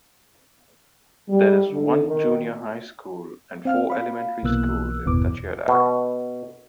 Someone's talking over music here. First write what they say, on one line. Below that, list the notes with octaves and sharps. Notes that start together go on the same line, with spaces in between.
There is one junior high school and four elementary schools in Tachiarai.
G3
D3
D#3
C4 F5 F6
F5 B5
B1 B2 E3 A#3 E6 F#6
G1 E2 B2 E3 D6
B2